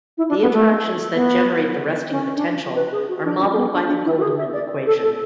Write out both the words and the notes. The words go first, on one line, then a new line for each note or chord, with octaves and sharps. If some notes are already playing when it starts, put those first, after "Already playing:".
The interactions that generate the resting potential are modeled by the Goldman equation.
E4
D4
B3
A3
B3
C#4
D4
B4
G#4
F#4
D4
C#4
B3
D4
D4
E4
F#4
G#4
E5
D5
A4
A4